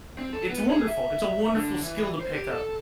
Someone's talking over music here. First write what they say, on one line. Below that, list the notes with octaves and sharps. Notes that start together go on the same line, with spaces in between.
It's wonderful. It's a wonderful skill to pick up,
C4
A4
B3
G#4
E5
D3
E3
C5
G4
A4